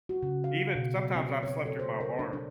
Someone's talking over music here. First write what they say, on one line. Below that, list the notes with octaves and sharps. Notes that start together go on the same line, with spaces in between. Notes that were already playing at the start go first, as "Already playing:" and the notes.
Even Sometimes, I've slept through my alarm,
F#4
C#3
F5
B2
F#3
C4
C#5
A4
C5
A#4
D4
D4